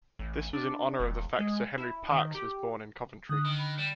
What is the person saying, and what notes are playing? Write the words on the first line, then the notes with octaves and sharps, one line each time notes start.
This was in honour of the fact Sir Henry Parkes was born in Coventry.
A1
D4
E1
G#3
E4
D#3
G4
D3 D#6 F#6
D#3
B5
G3 E7